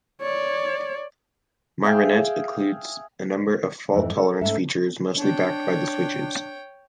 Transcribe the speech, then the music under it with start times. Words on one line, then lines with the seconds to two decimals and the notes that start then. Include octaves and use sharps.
Myrinet includes a number of fault-tolerance features, mostly backed by the switches.
0.21 C#5 D5
1.84 G#4 E5 F5 G5
3.94 F2 G#2 E3 D#4
4.16 A4 A#4 F#5
4.41 G#2 A3 C#4 A4 E5
5.18 D4 C#5 G5